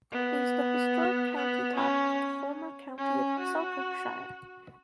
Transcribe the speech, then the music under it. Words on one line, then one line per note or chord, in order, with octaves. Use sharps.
It is the historic county top of the former county of Selkirkshire.
B3
B3
C#4
C#4
F#4